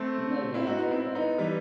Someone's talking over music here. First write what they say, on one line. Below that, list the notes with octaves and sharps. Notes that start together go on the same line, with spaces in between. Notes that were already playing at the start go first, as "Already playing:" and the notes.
No games were played.
Already playing: A3 C4
C4 E4
D#4 F#4
B3 D#4
C4 E4
B3 D#4
E3 G3